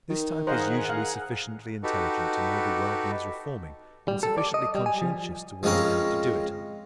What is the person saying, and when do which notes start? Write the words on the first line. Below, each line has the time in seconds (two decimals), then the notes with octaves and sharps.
This type is usually sufficiently intelligent to know the world needs reforming and sufficiently conscientious to want to help to do it.
0.10 D#3
0.47 G#4 A#4 C5 D#5 F5 F#5
0.89 F5
1.83 D#4 F#4 G4 A4 B4
4.08 G3
4.23 A4
4.38 D5
4.54 D#5
4.75 G3
4.86 G#5
5.02 F3
5.63 F3 G#3 C4 C#4 A#4